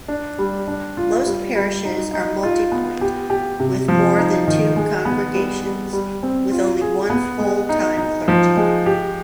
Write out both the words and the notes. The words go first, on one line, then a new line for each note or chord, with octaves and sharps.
Most parishes are multipoint -with more than two congregations- with only one full-time clergy.
D4
G3
D4
F4
G3
G3
D#4
D#4
F4
B3
G4
G4
C3
F3
D#4
D#3
G#3
B3
G3
G3
G3
C4
F4
G#4
B3
G#3
D#4
D#4
F3
G#3
G4